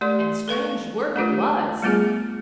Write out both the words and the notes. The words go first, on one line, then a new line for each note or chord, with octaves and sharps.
And strange work it was!
A3 G4 D5 C6
A4 B4 F5 C#6
A3 D4 F4 G4
G3 A3 B3 F4 G#4